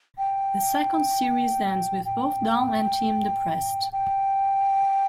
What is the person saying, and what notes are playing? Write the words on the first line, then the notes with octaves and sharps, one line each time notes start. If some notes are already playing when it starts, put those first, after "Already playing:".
The second series ends with both Dawn and Tim depressed.
G5
G5
G5